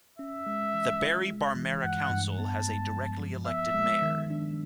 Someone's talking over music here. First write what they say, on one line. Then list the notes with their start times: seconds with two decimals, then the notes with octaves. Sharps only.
The Berri Barmera Council has a directly-elected mayor.
0.18 C#4 E5
0.47 G#3
0.74 E3
1.01 F4
1.28 G#3
1.56 E3
1.83 G2 F#5
2.10 G2
2.38 B3 A5
2.65 G#3
2.93 F3
3.20 F3
3.47 B3 E5
3.74 G#3
4.02 D#3
4.30 D4